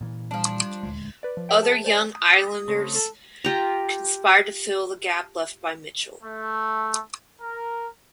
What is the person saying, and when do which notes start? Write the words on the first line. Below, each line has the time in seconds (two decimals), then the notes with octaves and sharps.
Other Young Irelanders conspired to fill the gap left by Mitchel.
0.01 A#2 E3
0.31 F3 G3 D4
0.83 D#1 D2 G#3
1.23 B4 D5
1.37 F3
1.49 A#4 C#5 E5 G5
1.62 G#4 A5
1.84 C5 D5 G#5
2.13 D#6
2.68 C#3 A3 C4
2.95 A4
3.44 F4 G4 A#5
6.23 A3
7.41 A#4